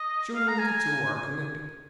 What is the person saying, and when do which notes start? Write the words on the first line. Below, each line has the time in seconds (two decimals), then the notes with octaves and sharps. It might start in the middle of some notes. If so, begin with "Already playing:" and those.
Surely the two are connected.
Already playing: D#5
0.35 F5
0.48 A#5
0.59 G#5